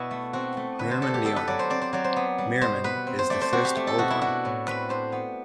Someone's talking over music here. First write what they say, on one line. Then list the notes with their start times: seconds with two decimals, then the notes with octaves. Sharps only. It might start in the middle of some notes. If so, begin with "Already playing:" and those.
Merriman Lyon: Merriman is the first Old One.
Already playing: B2 B3 D4 E4 F#4 B4
0.11 A3
0.33 C4 F#4
0.57 A3
0.79 D3 B4
0.91 C5
1.02 D4 A4
1.14 G4
1.25 B3 A4
1.36 B4
1.48 F#3 D5
1.59 C5
1.70 C4 D5
1.82 C5
1.93 F#3 D5
2.04 C5
2.16 B3
2.38 G3
2.62 B2 C5
2.84 B3 B4
3.07 C4
3.19 C5
3.30 A3 D5
3.41 C5
3.53 C4 F#4
3.65 G4
3.76 A3
3.87 A4
3.98 B2 F#4
4.10 E4
4.21 D4 F#4
4.45 A2
4.67 C4 B4
4.89 D4 C5
5.12 B3